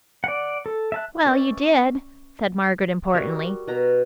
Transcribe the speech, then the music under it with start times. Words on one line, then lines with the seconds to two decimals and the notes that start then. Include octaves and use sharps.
"Well, you did," said Margaret importantly.
0.24 D5 F#5
0.66 A4
0.92 E5 A5 F#6
1.26 C#4 D5 E5 G5
3.14 G3 F#4 A#4 C#5
3.68 B2 A#5